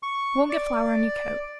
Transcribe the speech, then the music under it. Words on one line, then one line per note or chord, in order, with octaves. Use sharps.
I won't get flour on your coat.
C#6
D5